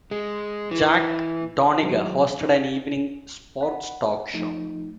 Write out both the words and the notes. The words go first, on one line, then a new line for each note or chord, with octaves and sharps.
Jack Donniger hosted an evening sports-talk show.
G#3
E3
D#3 F#3 G#3 D#4 E4 C5
D#4 C5
F#5 B5
F3 A3 D#4